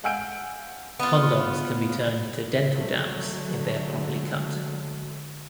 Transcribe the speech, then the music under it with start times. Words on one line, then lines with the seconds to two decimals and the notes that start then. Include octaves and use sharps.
Condoms can be turned into dental dams if they are properly cut.
0.04 F5 F#5 G#5 E6 G6 D7
1.00 B3 F4
2.75 D3 F#3 G#3 A3